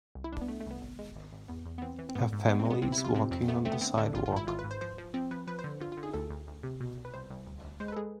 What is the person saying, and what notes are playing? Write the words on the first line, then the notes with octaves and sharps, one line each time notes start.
A family is walking on the sidewalk.
C2
E4
C2 D4
B3
A3
A3
C2 B3
G#1
G#3
G#1
G#1
E2 B3
E2
B3
E3 C4
E3
C4
G#2 B3
G#2
G#3 B3
C4
G#3
B3
C3 C4
E4
C3
F4
C3 C4
F2 C4
A3 B3
A3 C4
B3
D3 C4
D3 D4
G#1 F4
F4
G#2 E4
G#1 F4
B4
G#2
C5
F3 C5
F3
F3 C4
F3 B4
F3 B4
C5
D3
D3 F4
F4
D3
G#4
D2 A4
D2
D2
C3
B2
C2
B4
C2 C5
C2
D2
D2
G#3 C5
B4
A4
G#3 G#4